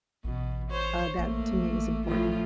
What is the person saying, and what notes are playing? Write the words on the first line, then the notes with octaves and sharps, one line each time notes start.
uh, that to me was important.
A1 B2
C5 C#5
A1 A3 A#3
A1
A2 F3 F4